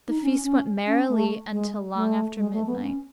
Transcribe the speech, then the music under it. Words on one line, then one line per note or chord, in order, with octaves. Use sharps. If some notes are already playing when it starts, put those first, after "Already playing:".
The feast went merrily until long after midnight.
D#4
C#4
C#4
C#4
A3
G#3
A3
G#3
A3
B3
C#4